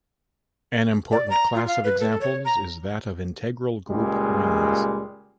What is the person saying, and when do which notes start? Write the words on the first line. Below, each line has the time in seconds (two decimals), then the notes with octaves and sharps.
An important class of examples is that of integral group rings.
1.12 D5
1.30 A#5
1.55 F4
1.68 F5
1.84 B4
2.01 A4
2.21 C#5
2.45 A#5
3.88 C#2 A#2 G3 G#3